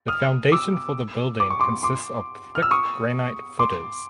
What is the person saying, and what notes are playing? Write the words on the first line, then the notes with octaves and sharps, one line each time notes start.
The foundation for the building consists of thick granite footers.
D#6 F6
D6 E6
D6
C#6
C6 D6
C6 D6
F6
E6
C#6 D#6
C6 D6